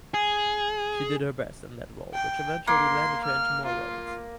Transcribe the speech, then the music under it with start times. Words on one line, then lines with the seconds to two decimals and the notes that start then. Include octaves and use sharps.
She did her best in that role which eventually landed her into more roles.
0.14 G#4
2.14 G5
2.67 A#3 C6
3.24 F6
3.66 F4